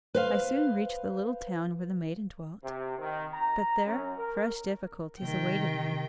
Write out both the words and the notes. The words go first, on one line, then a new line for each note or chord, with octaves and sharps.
I soon reached the little town where the maiden dwelt; but there fresh difficulties awaited me.
B4 C5 F5
C3
D#3
A#5
F#2
A#4
C3 D#3 G5